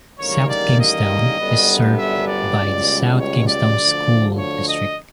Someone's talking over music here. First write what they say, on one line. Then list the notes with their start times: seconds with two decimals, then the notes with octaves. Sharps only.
South Kingstown is served by the South Kingstown School District.
0.19 A1 G#2 D#3 G3 A#3 C#5
0.49 D5
0.79 D#5
1.39 G1 F#2 D3 G3 B3
1.99 E5
2.28 D5
2.58 C#2 B2 G3
3.19 C#5
3.48 D5
3.78 D2 D3 F3
4.38 C#5
4.68 D#5